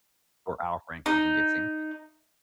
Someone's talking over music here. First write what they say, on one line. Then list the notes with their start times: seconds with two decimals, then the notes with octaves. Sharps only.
or our friend comes and gets him,
1.06 D#4